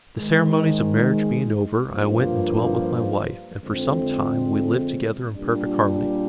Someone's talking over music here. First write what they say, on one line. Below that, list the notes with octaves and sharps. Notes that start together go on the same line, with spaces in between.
The ceremonies of marriage being over, I went and dwelt with my wife and for some time we lived together in perfect harmony.
G#2 D#3 G#3
G2 F3 A#3 F4 C5
F2 D3 G#3 C4
A#2 G3 D4